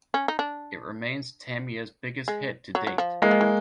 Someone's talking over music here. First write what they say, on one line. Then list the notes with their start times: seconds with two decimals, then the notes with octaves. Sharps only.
It remains Tamia's biggest hit to date.
0.14 C#4
0.28 D#4
0.39 D4
2.28 G#3
2.75 F#3
2.87 F#3
2.98 F3
3.22 E3 G#3 A#3
3.31 F3
3.41 E3